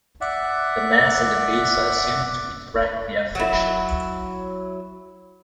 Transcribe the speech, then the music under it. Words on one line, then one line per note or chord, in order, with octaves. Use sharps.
The mass and the base are assumed to interact via friction.
D5 E5 F#5
F#3 E4